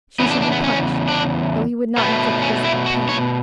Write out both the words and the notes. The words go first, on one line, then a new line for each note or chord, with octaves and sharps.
She should be punished, though he would not inflict physical pain.
E2 C#3 B3
D4
D4
B3
C#4
D4
B2 A3 B3
C#4
E4
F#4
C#5